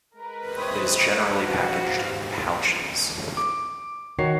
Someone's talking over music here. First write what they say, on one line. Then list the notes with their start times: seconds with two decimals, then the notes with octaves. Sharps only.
It is generally packaged in pouches.
0.16 G#3 A#4 B4
0.57 C4 E4 C#5 G5 D#6
1.12 F5
1.42 G#2 F#4
2.04 G4
3.37 D6
4.19 D#3 F#4 C#5 C7